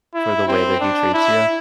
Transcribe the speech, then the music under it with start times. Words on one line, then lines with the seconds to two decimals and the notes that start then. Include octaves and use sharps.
for the way that he treats you?
0.15 E4
0.48 C4
0.80 D4
1.14 E4